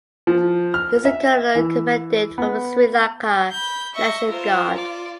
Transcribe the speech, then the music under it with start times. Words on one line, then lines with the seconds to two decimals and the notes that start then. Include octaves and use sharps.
He is the Colonel Commandant of the Sri Lanka National Guard.
0.27 F3
0.74 F6
1.05 E5
1.55 E3
2.38 B3
3.52 B5 G6
3.95 D#5 E5 C#6
4.29 F4 A#4 C5
4.76 D5